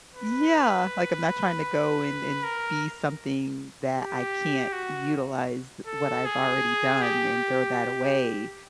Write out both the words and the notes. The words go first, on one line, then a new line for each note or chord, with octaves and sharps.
Yeah, like, I'm not tryna go and and be something that I can't utilized what I've already done and throw that away.
B4
A#4
G4
F#4
A4
G#4
G4